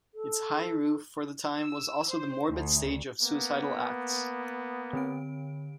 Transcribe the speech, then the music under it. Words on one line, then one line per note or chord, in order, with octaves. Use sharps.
Its high roof for the time was also the morbid stage of suicidal acts.
A4
E6
C5
D2
A#3 B3
D3 C4 D7